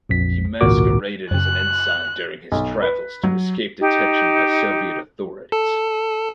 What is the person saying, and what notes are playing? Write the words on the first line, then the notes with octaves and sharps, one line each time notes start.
He masqueraded as an ensign during his travels to escape detection by Soviet authorities.
A#1 F2 B6
G#1 C#2 A#2 F#4 A#4 D6
F#2 C#3 F#6
B1
B4
F#3
D#4 G4
A4